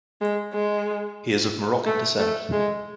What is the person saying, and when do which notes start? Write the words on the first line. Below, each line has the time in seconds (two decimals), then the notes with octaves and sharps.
He is of Moroccan descent.
0.21 G#3
0.54 G#3
1.86 A3
2.19 A3
2.52 G#3